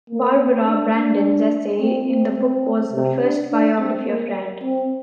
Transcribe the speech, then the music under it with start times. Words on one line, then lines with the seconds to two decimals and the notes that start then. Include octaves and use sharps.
Barbara Branden's essay in the book was the first biography of Rand.
0.10 A#3
0.39 C4
0.66 D4
0.95 D4
1.80 C4
2.08 C4
2.37 C4
2.93 C3
3.22 D4
3.50 D4
3.78 C4
4.06 A#3
4.63 C4